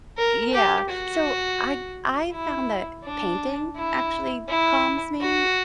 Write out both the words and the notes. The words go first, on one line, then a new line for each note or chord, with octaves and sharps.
Yeah, so, I I found that painting actually calms me.
A#4
G4
F#4
E4
D4
E4
E4
F#4